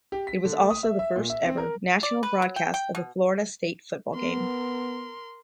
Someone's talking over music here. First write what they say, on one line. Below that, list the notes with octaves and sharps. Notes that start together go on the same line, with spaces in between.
It was also the first-ever national broadcast of a Florida State football game.
G4
B6
D3
A3
D#6
E5
E5
A#2
E5
C4
A#4
D5
B4
F#3
G5
G5
B2
B3 A#4 C6